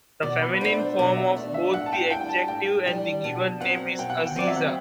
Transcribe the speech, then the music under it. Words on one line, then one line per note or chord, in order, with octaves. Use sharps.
The feminine form of both the adjective and the given name is Aziza.
B2 D5
B4
B4
A3 D4 C5
C5
B2 D5
E5
A3 D4
E5
A2 F#5
A5
G5
G3 D4 G5
A5
A2 G5
G3 D4 G5
B2 A5
F#3 C4 F#5
B2 G5
F#5
G5
F#3 C4 D5
E5
F#5
G5